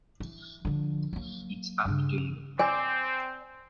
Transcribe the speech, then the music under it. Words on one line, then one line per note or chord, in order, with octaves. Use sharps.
It's up to you.
E3
D3 F3
F#3 A#3
G2 C#3
C4 D5 G#5